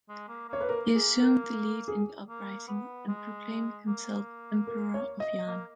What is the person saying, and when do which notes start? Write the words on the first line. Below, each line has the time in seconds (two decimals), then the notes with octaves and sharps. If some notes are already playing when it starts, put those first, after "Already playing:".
He assumed the lead in the uprising and proclaimed himself Emperor of Yan.
0.09 G#3
0.28 A#3
0.49 A#3 C#5
0.61 B4
0.69 A#3 A#4
0.95 G#4
1.22 A#4
1.88 G#4
2.28 A#3
2.68 B3
3.08 G#3
3.87 A#3
4.67 A#4
4.94 C#5
5.20 D#5
5.47 A#3